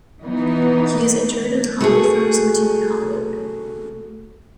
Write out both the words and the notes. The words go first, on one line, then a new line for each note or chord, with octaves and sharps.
He is interred in the Hollywood Forever Cemetery, Hollywood.
E3 B3 D#4
A3 F#4 G#4